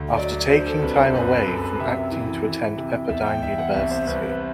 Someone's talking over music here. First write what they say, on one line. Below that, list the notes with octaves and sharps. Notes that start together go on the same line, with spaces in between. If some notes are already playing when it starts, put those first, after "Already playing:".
After taking time away from acting to attend Pepperdine University.
Already playing: D2
F#3 D5
D4 C5
A4
C2 B4
C5
F#2 B4
B4
F#2 A4
B4
C3 E5
E3
E3
C3
E2 E5
G5
E2 E5
F#5
C2 E5
C5
C2 B4
B4